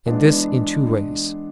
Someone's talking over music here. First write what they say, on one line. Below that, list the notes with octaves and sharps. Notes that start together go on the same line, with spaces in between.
And this in two ways.
E3 G#3 B3 D4